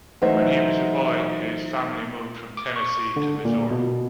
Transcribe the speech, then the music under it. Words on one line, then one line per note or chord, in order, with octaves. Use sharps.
When he was a boy, his family moved from Tennessee to Missouri.
E3 F#3 A3 D#4 C5 E5
D6
C#6
D3
A#2
B2